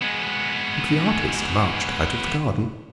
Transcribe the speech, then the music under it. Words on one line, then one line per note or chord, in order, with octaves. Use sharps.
But the artist marched out of the garden.
G#3 B3